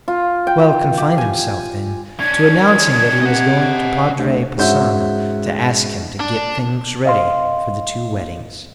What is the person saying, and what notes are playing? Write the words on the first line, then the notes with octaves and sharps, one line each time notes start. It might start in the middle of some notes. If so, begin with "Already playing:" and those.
Manoel confined himself, then, to announcing that he was going to Padre Passanha to ask him to get things ready for the two weddings.
F4
G5
G4
G#5
C#4 D4 G#6
C3 D#5 F#5
D2
G#2 C#4 F#4 E5 G6
D4
D#5 F5 C6